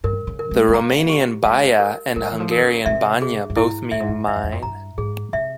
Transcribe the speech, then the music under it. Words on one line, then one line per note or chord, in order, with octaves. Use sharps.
The Romanian "baia" and Hungarian "banya" both mean "mine".
G2 A#4
C#3
A#4
G#3
G#3
A#3 A#5
G4
G#3 F5
A#4
G3 A#4
E3
F3
E3 A#4
C#3
C3 E5
G#4
G2
G#2 E4
G2 E5
G#2
G2
G2 E5
F2
E2
F2
G2 A#5
G#2 G#4
C3 E5